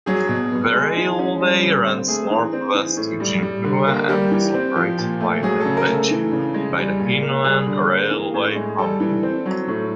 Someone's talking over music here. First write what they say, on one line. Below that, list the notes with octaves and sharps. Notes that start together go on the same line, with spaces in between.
The railway runs northwest to Jinhua and is operated by the Jinwen Railway Company.
F#3 G#4
B2
B3
G#3
E3
C#4
G3
D3
C4
A3 G#4
E3
C4
E3
A2
G3
G3
D3
A#3
G3 G4
E3
C4
F3
A#2
A3
F#3 G#4
C#3 A4
A#4
A3
A4
E3
C#3
G#3
G3
A#2
A#3
G3 G#4
D3
A#3
E3
A2
G#3
G3 A4
E3
C4
F#3
A2